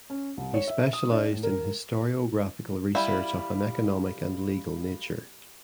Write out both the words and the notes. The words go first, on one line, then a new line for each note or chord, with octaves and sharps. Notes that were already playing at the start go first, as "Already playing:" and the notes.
He specialized in historiographical research of an economic and legal nature.
C#4
C2
C#5
E5
D#6
D4
A2
A#4
G3 E4 F5 B5